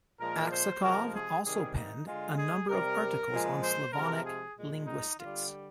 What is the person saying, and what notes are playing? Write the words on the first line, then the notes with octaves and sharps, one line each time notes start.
Aksakov also penned a number of articles on Slavonic linguistics.
A#2 F3 G#3 A#4
C5
C3 F3 G#3 A#4
G#4
C3 D#3 G3 G#4
D#4
D3 G#3 F4
G#4
C3 G3 A#4
A#2 F3 G#3
C5
C3 F3 G#3 A#4
G#4
A#2 G#3
D#4
D3 G3 F4